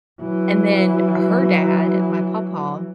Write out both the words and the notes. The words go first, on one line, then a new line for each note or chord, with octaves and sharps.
and then her dad, my papa,
E3 F#3